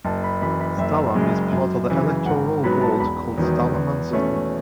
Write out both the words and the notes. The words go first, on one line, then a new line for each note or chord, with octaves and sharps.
Stalham is part of the electoral ward called Stalham and Sutton.
F#1 A5
B5
F#2 E3 B5
B5
F#1 E5
F#2 C#3 G#3
F#2
C#3 E3
G#1 F#5
G#2 F#3 B3 B5
A5
E1 B5
E2 D#3 F#3
E2
B2 A3 C#4